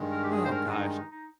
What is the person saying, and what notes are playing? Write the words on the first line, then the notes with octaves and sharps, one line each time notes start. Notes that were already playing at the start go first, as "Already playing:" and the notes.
Oh, gosh.
Already playing: G2 D#3 G#3
A#4
G4
G#4
C5
A#4
D4
D#4
D#4
D#4